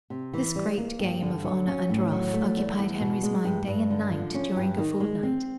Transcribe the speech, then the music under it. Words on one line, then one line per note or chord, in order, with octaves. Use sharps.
This great game of "honor and ruff" occupied Henry's mind day and night during a fortnight.
C3
E3
G3
A#3
G2
D3
F#3
C#4
A2
F#3
A3
E2
E2
B2
G#3
G2
G2
D3
F3
C#4
G2
D#3
G#3
C4